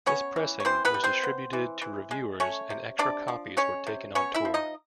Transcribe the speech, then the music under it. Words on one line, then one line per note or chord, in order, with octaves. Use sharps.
This pressing was distributed to reviewers and extra copies were taken on tour.
B3 C#4 C#5
E3
C#5
E3 C4 C5
B3 B4
G3
C4 C5
B3
E3
E3
G#3
A3 C#4 C#5
C3
C3 D4 D5
F3
G#3 C#4 C#5
C3
B3 C#4 C#5
E4 E5
F3
D#4 D#5